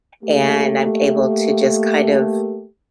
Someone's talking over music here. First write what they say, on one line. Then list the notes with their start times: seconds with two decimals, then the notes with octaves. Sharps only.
and I'm able to just kind of
0.24 A3 A#3 G4